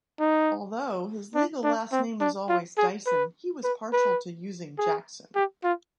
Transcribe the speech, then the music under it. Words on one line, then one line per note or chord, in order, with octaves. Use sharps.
Although, his legal last name was always Dyson, he was partial to using Jackson.
D#4
D4
D4
C4
D4
F4
G#4
B4
B4
B4
G#4
G4
F4